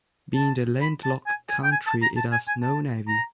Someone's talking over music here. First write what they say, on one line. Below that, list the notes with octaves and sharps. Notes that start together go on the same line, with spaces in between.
Being a landlocked country, it has no navy.
A5
B5
A5
G#5
G#5
G5
G#5
A5
A#5
A5
G#5
G#5
A5
A#5